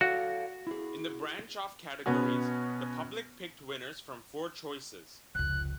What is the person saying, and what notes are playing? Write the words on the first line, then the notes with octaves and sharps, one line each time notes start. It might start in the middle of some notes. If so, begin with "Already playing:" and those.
In the branch-off categories, the public picked winners from four choices.
F#4 A4 D5 F5
E4 G#4
B2 B3 C#4 F#4
F1 C#2 F#6